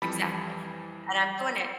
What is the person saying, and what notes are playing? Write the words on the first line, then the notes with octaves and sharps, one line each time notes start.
Exactly, and I'm doing it
F2 E3 G3 A5 B5 B6